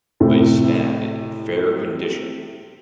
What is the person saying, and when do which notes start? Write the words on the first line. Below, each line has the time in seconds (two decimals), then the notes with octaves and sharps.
They stand in fair condition.
0.20 A2 C3 A3